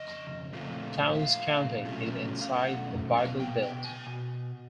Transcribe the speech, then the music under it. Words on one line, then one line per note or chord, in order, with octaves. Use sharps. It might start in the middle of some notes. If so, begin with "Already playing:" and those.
Towns County is inside the Bible Belt.
Already playing: F2 C#3 D#5
A#2 F3 A3 C4 F4
E5
F5
B2 F#3 A3 C#4 F4
F5
F#5
B2 G#3 B3 F5
G5
G5
G#5